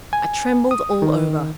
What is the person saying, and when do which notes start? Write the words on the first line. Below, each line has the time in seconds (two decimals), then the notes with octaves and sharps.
I trembled all over.
0.13 G#5
0.71 D#6
1.02 D#3